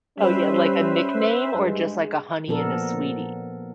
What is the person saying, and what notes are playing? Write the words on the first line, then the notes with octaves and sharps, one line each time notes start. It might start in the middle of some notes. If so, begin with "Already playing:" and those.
Oh, yeah, like a nickname or just, like, a honey and a sweetie?
G3 C#4 B4 C5 E5
G2 G#3
A#2 F3 B3 D4 A4 A#4